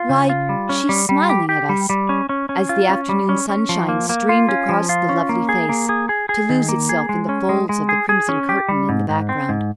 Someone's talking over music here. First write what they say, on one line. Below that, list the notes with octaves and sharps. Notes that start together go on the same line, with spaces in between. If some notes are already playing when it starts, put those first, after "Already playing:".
"Why, she's smiling at us," as the afternoon sunshine streamed across the lovely face, to lose itself in the folds of the crimson curtain in the background.
Already playing: F4
C#3
F4
G3
C#4
G3
G3
G4
G4
G3
G3
C#4
C#4
C#4
F4
C#4
G3
C#4
C#4
F3
A#3
A#3
F4
C#4
F3
F4
C#4
A#3
G#4
A#3
G#4
G#4
G#4
D#3
A#3
G#4
G#3
C#4
G#3
G#3
G#4
G#4
C#4
G4
G3
G#2
G#2
C4
G#2